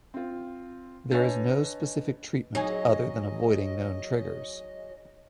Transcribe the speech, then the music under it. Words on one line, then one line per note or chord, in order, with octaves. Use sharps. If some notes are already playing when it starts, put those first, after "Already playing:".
There is no specific treatment, other than avoiding known triggers.
C4 F4
D4 B4 C#5 D#5 G#5 A6
F#3 D#4 G#4 D#5 G#5